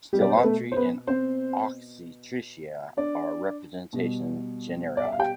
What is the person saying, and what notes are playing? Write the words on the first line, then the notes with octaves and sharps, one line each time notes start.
"Stylonychia" and "Oxytricha" are representative genera.
B2 G3 G4
D5
C5
B4
A3 A4
C5
B3 B4
C4 C5
D4 D5
B2 G3
D5
E5
F5
G4 G5